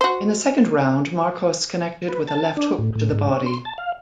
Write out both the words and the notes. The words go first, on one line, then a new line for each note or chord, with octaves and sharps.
In the second round, Marcos connected with a left hook to the body.
F#4 C5
B4
A5
D4
A2
A2
G#2
C#4
C6
A5
F5